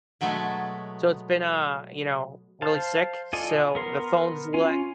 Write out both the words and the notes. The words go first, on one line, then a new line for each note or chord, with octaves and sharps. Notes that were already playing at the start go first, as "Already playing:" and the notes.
so it's been, uh, you know, really sick, so, the phone's le
B2 F#3 G#3 A3 B3
C5 F5 A5
F4 A4 D5 D#5 G#5
B3 A#4 C6
C#4 F4 G#5